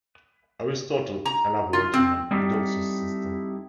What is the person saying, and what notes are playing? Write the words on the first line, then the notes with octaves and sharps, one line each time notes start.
Aristotle elaborated on Eudoxus' system.
A#5
F4
C4
G3 C4 D#4 E4 G4 A4